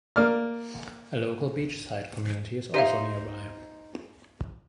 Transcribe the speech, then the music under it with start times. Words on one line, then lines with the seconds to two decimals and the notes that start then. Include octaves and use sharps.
A local beachside community is also nearby.
0.16 A#3 D5 F6
2.74 D#4 G4 C5 E5 F5